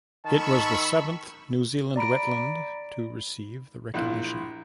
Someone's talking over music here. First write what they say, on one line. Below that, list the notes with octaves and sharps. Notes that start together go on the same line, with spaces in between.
It was the seventh New Zealand wetland to receive the recognition.
D#3 A5 B5 C#6 E6
D5 A#5 B5 D7
A#1 E4 F4 F#6